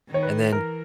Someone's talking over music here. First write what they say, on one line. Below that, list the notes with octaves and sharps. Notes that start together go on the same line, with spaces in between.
and then
D#3
C#5
B4
E3 A#4